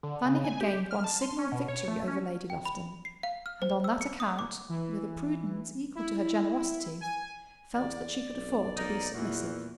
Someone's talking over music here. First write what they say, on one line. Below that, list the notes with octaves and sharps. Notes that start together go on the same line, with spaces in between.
Fanny had gained one signal victory over Lady Lufton, and on that account, with a prudence equal to her generosity, felt that she could afford to be submissive.
D3
C#3
G#5
G4
F6
A5
C6
C#4
B2
C#5
A3
C#4
G5
B5
C7
F5
F6
C5
E6
C#7
D#6
D6
E3
E4
G#5
E2 D5
B1
A#3 D#4
E2 A#2 F#4